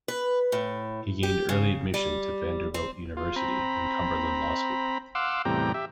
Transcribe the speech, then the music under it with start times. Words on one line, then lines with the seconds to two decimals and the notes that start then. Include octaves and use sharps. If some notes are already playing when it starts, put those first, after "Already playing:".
He gained early admission to Vanderbilt University and Cumberland Law School.
0.08 B4
0.52 A2
1.23 G4
1.49 C#3
1.94 G3
2.74 C4
3.17 F4
3.36 C4 A#5 B5
5.15 F5 F#5 C6 D6 E6
5.45 E2 A2 C3 G3 G5 A#5
5.74 G4 E5